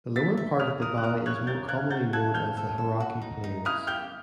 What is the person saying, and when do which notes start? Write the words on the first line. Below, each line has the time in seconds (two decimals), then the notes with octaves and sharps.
The lower part of the valley is more commonly known as the Hauraki Plains.
0.16 E5 A6 B6
0.37 E5
0.59 A#4 D#6 F6
0.82 A#4 D#6 F6
0.98 F#6
1.03 A#4 D#6 F6
1.26 C#5 F#6 G#6
1.47 A#4 G6 A6
1.69 A#4 F#6 G#6
1.91 F#4 G6 A6
2.13 A4 F#6 G#6
2.34 A4 F6 G6
2.57 A4
2.78 A4
3.00 F#4
3.22 D#4
3.44 D#4
3.65 E4 D#6 F6
3.87 G4 F6 G6